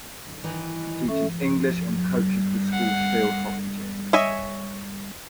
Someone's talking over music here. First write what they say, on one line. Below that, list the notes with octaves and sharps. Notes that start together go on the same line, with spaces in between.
He teaches English and coaches the school's field hockey team.
D#3 E3 D#4
C#4 A4 E5
F5 F#5
C#5 D#5 E5 G#5